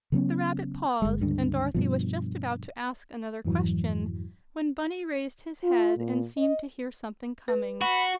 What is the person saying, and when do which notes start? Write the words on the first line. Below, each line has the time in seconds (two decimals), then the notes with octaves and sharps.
The Rabbit paused, and Dorothy was just about to ask another question when Bunny raised his head and seemed to hear something coming.
0.12 C#3 F#3 B3 C#4
1.02 G1 G#3
1.20 C#2 G2 D3
1.74 G2 B2 F3
3.45 F2 G#2 E3 F#3
5.63 F4
5.97 A#2
6.37 D#5
7.48 B4
7.82 F#4 B5